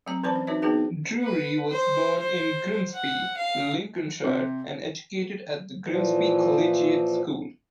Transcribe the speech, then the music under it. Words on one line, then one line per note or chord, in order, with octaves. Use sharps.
Drewry was born in Grimsby, Lincolnshire, and educated at the Grimsby Collegiate School.
F#3 A3 C4 A#5
E3 C4 C5 D5 A5 B5
C#4
D#4 F#4 B4 C#5 E5
B3 D4 D#4 F#4 G#4 B4
B4
C5
C5
F#5
F5
C3
A#2 E3 F3